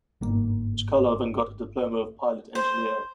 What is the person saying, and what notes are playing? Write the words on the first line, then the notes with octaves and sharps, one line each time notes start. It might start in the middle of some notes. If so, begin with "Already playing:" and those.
Chkalov and got a diploma of pilot-engineer.
G1 G#2 A#3
C5